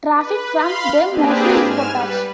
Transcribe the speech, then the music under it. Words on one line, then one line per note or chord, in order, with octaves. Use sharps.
Traffic from them mostly is potash.
B4
F5 B5 C6
A#3 C4 D4 G4 G#4 B4
G#2 G#5 F6 E7
G3 B4